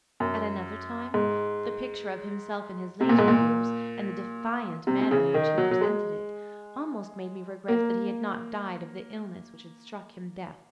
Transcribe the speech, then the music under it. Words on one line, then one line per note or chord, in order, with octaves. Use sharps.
At another time, the picture of himself in his later years, and the defiant manner in which he presented it, almost made me regret that he had not died of the illness which had struck him deaf.
F#2
G#2
C3
A#2
G#2
A#2
C3
C3
C#3
D#3
F#3
F#3
G#3
A#3